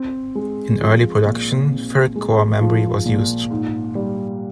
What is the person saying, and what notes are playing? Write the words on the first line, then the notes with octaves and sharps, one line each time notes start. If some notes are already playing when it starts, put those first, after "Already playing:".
In early production, ferrite core memory was used.
Already playing: C4
G#3
F3
A#2
C4
G#3
F3
A#2
G#2
G3